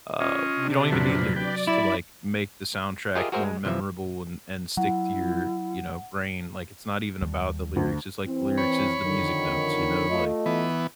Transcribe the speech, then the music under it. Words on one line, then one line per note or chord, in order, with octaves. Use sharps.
uh, you don't even need lyrics to like make the soundtrack more memorable and and stick to your, you know, brain. Like it's not even about the lyrics. It's like the lyrics is the music notes, you know? Like,
C#4 F4 D#5
C3 D4
F2 A#2 F#3 B4
B4 D5 G5
E4 B5
F4 G4 G#4 A#4 D#5 E5
F#4 G#4 A#4 C5 E5
G#3
C3 E3 F3 E5
F#3 E4 F#5
D#2 G3
D2
E3 C4
C#5 B5
F2 D3 D#3
A3 F4 D#5
E3 B3